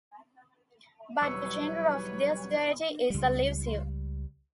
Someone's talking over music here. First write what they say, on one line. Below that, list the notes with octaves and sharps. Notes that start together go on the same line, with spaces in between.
But the gender of this deity is elusive.
E1 F#3 G3 B4 C#5 C#6 E6 C#7
C#2 G3